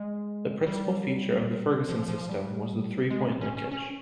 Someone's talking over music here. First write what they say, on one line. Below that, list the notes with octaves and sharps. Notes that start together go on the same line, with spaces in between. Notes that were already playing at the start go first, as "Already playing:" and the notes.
The principal feature of the Ferguson System was the three-point linkage.
Already playing: G#3
G3
F3
F3
G3
G#3
C#4
C#4
C#4
C#4